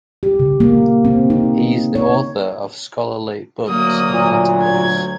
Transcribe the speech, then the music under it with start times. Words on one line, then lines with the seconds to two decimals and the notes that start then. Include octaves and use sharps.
He is the author of scholarly books and articles.
0.23 G4
0.40 C#3
0.60 A#3
1.05 C4
1.30 D#4
1.95 C#5
3.67 D2 F#3 A#3 D#6
4.11 A#2
4.63 G#6